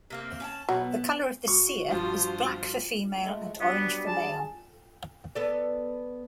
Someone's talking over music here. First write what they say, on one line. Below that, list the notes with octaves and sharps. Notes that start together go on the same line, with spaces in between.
The colour of the cere is black for female and orange for male.
C3 A#3 C4
C#4 G5 A5
B2 F#3 B3
E1 F#4 C#6
E1 G2 F3 F4 C5
G#3 A3
F#3 G3 B3 D4
G#4 A5
B3 A4 D5